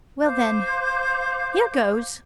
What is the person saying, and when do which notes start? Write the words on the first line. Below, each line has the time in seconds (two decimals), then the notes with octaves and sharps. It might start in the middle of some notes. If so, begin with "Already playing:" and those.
"Well, then--here goes!"
0.23 C5 F5 D6 G6